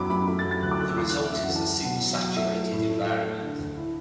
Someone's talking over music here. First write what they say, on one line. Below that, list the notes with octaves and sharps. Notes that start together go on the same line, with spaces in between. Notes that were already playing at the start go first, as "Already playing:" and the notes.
The result is a supersaturated environment.
Already playing: F#2 F#3 B3 B5 D6
F#2 B5
A3 B5
A6
F#3
A6
D2 F#6
D6
A3 F#6
E6
E3 D6
F#6
E3
E5
F#2 E5
F#5
E3
A5
F#3 F#5
B2 F#5
F#3
F#3
A3 E5
A3
A2
A3
A3
A3
D3
D2
E4